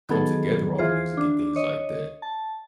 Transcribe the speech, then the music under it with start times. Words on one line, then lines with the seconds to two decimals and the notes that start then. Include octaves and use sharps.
come together off music and things like that,
0.09 D#3 F#3 B3 G#4 A4
0.78 E3 F4 G#4 C5
1.17 D4
1.56 C#5 D#5
2.22 A5